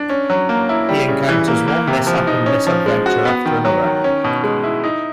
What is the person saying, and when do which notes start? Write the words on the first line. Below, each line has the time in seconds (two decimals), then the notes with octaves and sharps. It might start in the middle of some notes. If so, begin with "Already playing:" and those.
He encounters one mishap and misadventure after another.
Already playing: D4
0.09 C#4
0.30 F#3
0.49 A#3
0.69 E4
0.89 G3
1.08 C#3
1.29 E3
1.48 A#3
1.68 A#3
1.88 C3
2.07 F3
2.27 D#4
2.46 C#4
2.67 F3
2.86 G#3
3.06 F#4
3.25 B3
3.46 D#3
3.65 F#3
3.84 D#3
4.04 C#4
4.24 B2
4.44 G#3
4.64 E4
4.84 D#4